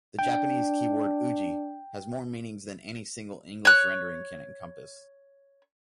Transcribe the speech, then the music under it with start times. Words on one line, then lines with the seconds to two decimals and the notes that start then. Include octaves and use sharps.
The Japanese keyword "uji" has more meanings than any single English rendering can encompass.
0.19 D4 G5
3.65 C#5 F#6